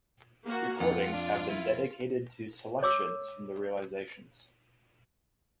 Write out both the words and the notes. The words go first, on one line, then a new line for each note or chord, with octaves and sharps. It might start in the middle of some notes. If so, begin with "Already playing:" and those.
Recordings have been dedicated to selections from the realizations.
A#3 F#4
F2 F4 F#5
D4
E4
C#5 D6 E6